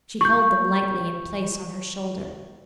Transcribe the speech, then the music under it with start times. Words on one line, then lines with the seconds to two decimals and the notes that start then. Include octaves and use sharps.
She held them lightly in place on her shoulder.
0.21 C#6 G6